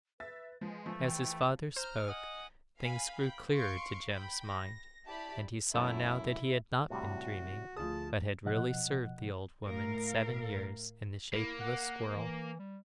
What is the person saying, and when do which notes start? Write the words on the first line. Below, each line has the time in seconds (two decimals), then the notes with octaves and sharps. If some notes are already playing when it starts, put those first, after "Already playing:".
As his father spoke, things grew clearer to Jem's mind, and he saw now that he had not been dreaming, but had really served the old woman seven years in the shape of a squirrel.
0.20 B4 E5 A6
0.61 F3 G#3 B4
0.86 F3 A3
1.01 E3 G5
1.76 C5 A#5 F6 G6
2.07 D#5 F#5 G#5
2.79 F5 G#5 B5
3.19 G5 B5
3.53 F5 C6 C#6 D7
4.10 G5 B5
4.47 A#6
5.07 E4 G4 D5 A5 B5
5.74 F#2 A3 E4 A5
6.90 A2 C3 G3 F#4
7.76 D2 F3 G#4 A5 D#6
8.45 B2 F3 D#5 F#5 F#6
9.66 A2 A#4 F5
11.34 A#3 E4
11.60 F#5
12.14 E3
12.59 G3